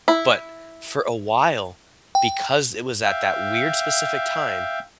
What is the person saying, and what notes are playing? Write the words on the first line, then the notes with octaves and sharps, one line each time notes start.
But for a while, because it was at that weird specific time,
E4
G5
E5 F5 G5